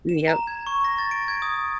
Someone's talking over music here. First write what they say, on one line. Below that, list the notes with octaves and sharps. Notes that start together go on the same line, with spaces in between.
M yep.
E7
A#5
G#6
C#6
A#6
A6
D7
G#6
D#6